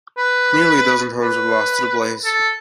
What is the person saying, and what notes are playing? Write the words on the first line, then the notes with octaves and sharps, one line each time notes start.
Nearly a dozen homes were lost to the blaze.
B4
B4
A4